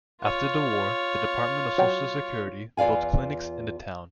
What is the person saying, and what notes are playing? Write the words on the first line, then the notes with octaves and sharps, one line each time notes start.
After the war, the Department of Social Security built clinics in the town.
F4 C#5
F#3 G5
E2 F4 D5 F5 G#5